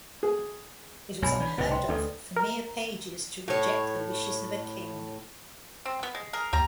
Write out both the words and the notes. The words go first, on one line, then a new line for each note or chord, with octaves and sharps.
It was unheard of for mere pages to reject the wishes of a king.
G#4
B1 G2 C#5 G#5 B5
E3 D4 D5 B5
C2 A2 C#3 B4 C5 D#5
C5 G5 C6
D2 D4 A4 D5
A#4
A2 C#5
C4
B3
G#3
G#4 A#4
D#2 G3 A#5